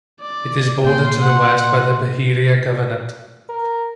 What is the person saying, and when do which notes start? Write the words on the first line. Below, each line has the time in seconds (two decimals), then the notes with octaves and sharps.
It is bordered to the west by the Beheira Governorate.
0.21 D5
0.85 A#2 G5 C6
1.20 F#5 C6
3.49 A#4